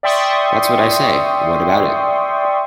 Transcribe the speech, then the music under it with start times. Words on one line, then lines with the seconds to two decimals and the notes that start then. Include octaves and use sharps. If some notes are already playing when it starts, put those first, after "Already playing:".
That's what I say: What about it?
0.03 D5 E5 G5 C6 C#6 D#6